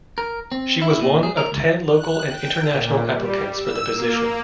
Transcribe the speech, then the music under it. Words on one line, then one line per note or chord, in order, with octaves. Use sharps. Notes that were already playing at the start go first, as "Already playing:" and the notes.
She was one of ten local and international applicants for the position.
A#4
C4
E4
A#2
G#4
A#4
C#2
F#6
G5
A#2
G3
E6
A#3